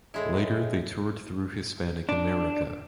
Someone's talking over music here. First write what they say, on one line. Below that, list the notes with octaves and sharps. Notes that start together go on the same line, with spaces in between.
Later they toured through Hispanic America.
A2 G#3 E4
D4